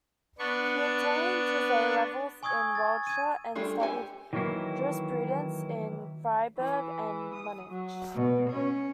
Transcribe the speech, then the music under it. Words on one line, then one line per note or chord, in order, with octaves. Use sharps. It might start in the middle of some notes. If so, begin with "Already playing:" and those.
He obtained his A-levels in Waldshut, and studied jurisprudence in Freiburg and Munich.
B3 D4 C#6
G#5 C#6 D#6 E6 G#6
A6
G#6 D#7
G3 A3 D4 F4 G#4
G4 A4 G#5
D#3 E3 F#3 A#3 E4
E3
D#6
F#3
B2
C#4